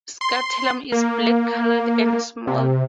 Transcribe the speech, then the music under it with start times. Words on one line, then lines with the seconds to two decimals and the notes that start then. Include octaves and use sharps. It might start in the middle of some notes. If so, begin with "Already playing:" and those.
Scutellum is black colored and small.
0.21 C6
0.92 A#3
2.47 C3